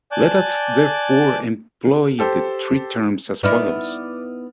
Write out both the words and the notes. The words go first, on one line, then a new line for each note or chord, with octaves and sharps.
Let us therefore employ the three terms as follows.
D5 G#5 A5 D6 F#6 G6
G4 A4 C5
B3 D#4 E4 D5 F6